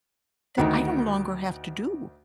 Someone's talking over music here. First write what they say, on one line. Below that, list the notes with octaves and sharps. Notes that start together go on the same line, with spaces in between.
that I no longer have to do.
D2 D#3